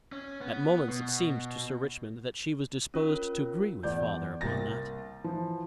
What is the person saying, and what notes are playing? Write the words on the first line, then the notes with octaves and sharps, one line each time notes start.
At moments it seemed to Sir Richmond that she was disposed to agree with father upon that.
C#4
B3
B2
C#4 F4 A#4
E2 D5 G6
C2 A#3 A6 A#6
E3 F3